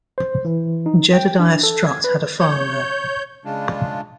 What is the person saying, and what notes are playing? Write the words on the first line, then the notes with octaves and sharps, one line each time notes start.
Jedediah Strutt had a farm there.
C5
E3
D#4
G5
D4
A4
G#6
B4
C#5 G6
C#3 G#3 D4 F4